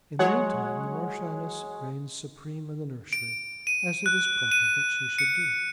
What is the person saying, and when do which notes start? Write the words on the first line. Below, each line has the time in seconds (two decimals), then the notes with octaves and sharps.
In the meantime the Marchioness reigns supreme in the nursery,--as it is proper that she should do.
0.19 F#3 G#3 C#5 F#5
3.13 D7
3.67 D#7
4.06 F#6
4.52 D#7
5.19 C#7